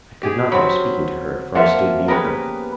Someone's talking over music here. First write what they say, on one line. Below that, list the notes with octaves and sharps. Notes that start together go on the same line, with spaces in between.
I could not help speaking to her, for I stood near her.
G4 G#4
F#3 C4 C#4 B5
F3 A#3 F4 E5 F#5
B3 C#4 G4 G#4 A#4 B4